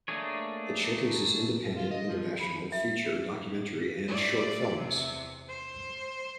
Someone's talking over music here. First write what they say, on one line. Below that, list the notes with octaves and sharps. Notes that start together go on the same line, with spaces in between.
It showcases independent, international, feature, documentary and short films.
A3 A#3 D4 G#4 C#5
F4
D#5
F3
B5
E5
A2 D5
E2 C3
C5